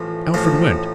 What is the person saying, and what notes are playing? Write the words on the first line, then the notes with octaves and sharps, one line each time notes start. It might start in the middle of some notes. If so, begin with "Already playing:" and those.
Alfred went.
Already playing: A1 A2 F3 C4
A1 A2 F3 C4